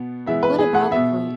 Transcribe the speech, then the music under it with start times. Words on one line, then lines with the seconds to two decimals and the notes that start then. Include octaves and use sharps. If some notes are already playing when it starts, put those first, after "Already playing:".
what about fruit?
Already playing: B2 B3
0.26 E3 G#3 B3 E5
0.43 B4
0.59 G#4
0.75 F#5
0.91 B2 B3 E5